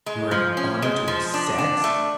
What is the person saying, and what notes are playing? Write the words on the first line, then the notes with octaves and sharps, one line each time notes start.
You are an honour to our sex!'
G#3
F3
C#4
G#3
F3
D4
D4
A3